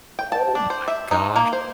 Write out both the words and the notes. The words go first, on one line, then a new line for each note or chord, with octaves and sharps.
Oh, my gosh.
G5
A5
D4
C5
E5
D#4
A#3
C5